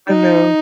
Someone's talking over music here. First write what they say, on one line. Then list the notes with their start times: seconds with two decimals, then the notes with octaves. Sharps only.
I know.
0.09 D#4